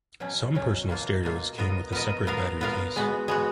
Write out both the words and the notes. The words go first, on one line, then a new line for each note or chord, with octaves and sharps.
Some personal stereos came with a separate battery case.
B2 F#3 C#4
B2 F#3 C#4
B2 A#3 F4
B2 A#3 F4
B3 F4 A#4 D#5
B3 F4 A#4 D#5
B3 F4 A#4 F5
B3 F4 A#4 F5
G#3 B3 F#4
G#3 B3 F#4